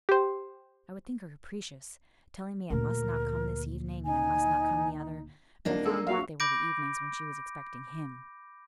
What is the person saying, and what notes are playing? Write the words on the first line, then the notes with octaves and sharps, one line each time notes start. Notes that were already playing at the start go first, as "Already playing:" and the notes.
I would think her capricious--telling me I must not come this evening, and I must not come the other; but I found out they were the evenings when she was expecting him.
G4 C5
D2 A#2 A#4
D#4 G#5
D#1 A#3 D4 D#5
G#4 A4 E6
A#1 F#4 E5 F5
B5 D6 G6 A#6 D7